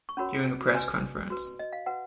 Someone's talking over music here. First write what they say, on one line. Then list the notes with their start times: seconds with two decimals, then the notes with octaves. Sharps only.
During a press conference.
0.09 C#6
0.17 C#4 F#4 A#4 C#5 B5
0.74 F#4 B4 G#5
1.30 F#4 B4
1.59 D#5
1.73 F5
1.86 F#4 B4 F#5